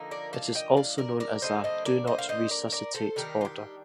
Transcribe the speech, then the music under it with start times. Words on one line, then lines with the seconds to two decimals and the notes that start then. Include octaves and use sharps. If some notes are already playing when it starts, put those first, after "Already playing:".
It is also known as a "do not resuscitate" order.
Already playing: D3 F3 A#3 D#4
0.11 A#4 D5
0.33 F5 A5
0.55 D#5 G5
0.77 D5 F5
0.98 A#4 D5
1.20 A#4 D5
1.42 D3 G3 A#3 D4 C5 D#5
1.64 C5 D#5
1.85 A#4 D5
2.07 C5 D#5
2.19 F5
2.29 C5 D#5
2.51 A#4 D5
2.72 A#4 D5
2.94 A4 C5
3.16 D#3 G3 D4 G4 A#4
3.41 F4
3.45 G4